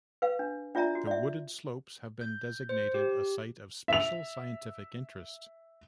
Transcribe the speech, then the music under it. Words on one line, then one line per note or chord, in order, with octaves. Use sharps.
The wooded slopes have been designated a Site of Special Scientific Interest.
B4 F5
D4
D4 F4 D5 E5 A#5
F#4
D5 E5
G6
C5
G4
E5 F7